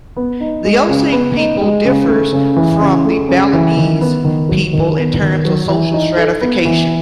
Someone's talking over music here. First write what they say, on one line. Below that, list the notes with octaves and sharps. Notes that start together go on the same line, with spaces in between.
The Osing people differs from the Balinese people in terms of social stratification.
B3
D#4
G#3
C#3
B3
D#4
G#3
C#3
A3
C#3
E3
C#3
A3
C#3
E3
D#3
B3
D#3
F#3
D#3
B3
D#3
F#3
E3
D#4
A4
B3
E3